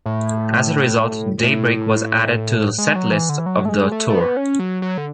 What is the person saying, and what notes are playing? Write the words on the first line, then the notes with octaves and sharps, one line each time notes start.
As a result, "Daybreak" was added to the set-list off the tour.
A2
A2
G#3
F#3
E3
D3
E3
F#3
A3
G#3
A3
A3
B3
C#4
F#3
F#3
D3